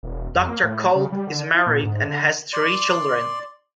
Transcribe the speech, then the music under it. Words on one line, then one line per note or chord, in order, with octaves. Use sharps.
Doctor Kolb is married and has three children.
E1
F2
A#3
A2
C#3
G3
D3
E4
A#2
G#2
D3
D5 C6